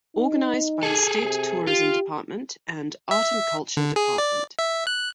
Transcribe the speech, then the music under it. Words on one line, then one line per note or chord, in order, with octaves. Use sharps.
Organized by the State Tourism Department and Art and Culture Department.
D#4
G#4 A4
C3
F4 G4
E5
D3
G#4
D5
E5
F#6